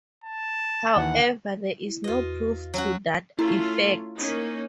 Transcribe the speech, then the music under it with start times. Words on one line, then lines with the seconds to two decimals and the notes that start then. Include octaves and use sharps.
However, there is no proof to that effect.
0.24 A5
0.96 D#2 E3 F#5
1.84 E4
2.04 E2 F4 F#4 B4 D#5
2.74 F#3 C#4 F#4
3.39 A3 C#4 E4 F4 A#5 C6
4.17 A#3 C#4 D#4